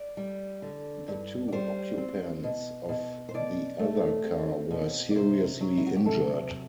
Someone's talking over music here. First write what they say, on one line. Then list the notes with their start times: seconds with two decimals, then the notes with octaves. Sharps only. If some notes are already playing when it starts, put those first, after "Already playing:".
The two occupants of the other car were seriously injured.
Already playing: D5
0.17 G3
0.62 D3
1.08 G2
1.48 D5
1.52 G3 C5
1.98 C4
2.43 B2
2.89 B2
3.29 C5
3.34 B2 D5
3.79 A3
4.24 C4
4.71 B2
5.11 D5
5.15 C3 C5
5.60 F#3
5.77 E4
5.87 F#4
5.97 G4
6.06 C3 A4